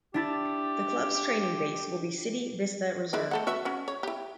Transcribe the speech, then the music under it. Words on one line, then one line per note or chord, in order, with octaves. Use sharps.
The clubs training base will be City Vista Reserve.
D4 E4 G4 A6
G#3 E4 D5
A3 A4 F#5
F#4 B4 E5
C#4 F#4
C#5
E4 G4